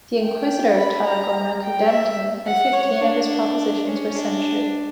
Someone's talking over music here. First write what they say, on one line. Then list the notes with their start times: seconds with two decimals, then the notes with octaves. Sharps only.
The inquisitor of Tarragona condemned him, and fifteen of his propositions were censured.
0.21 G5
0.76 B5
1.05 A#5
1.62 G5
1.89 E5
2.46 F#5
2.74 C#5
3.01 D4
3.87 C#4
4.15 D4